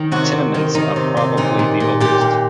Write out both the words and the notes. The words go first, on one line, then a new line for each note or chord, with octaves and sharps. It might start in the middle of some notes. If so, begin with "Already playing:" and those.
The tenements are probably the oldest.
Already playing: D#3
C3 F#4
C3
D#3
D#3 D#4
C3
C3
A#2 D#4
A#2
A#2
A#2 G4
A#2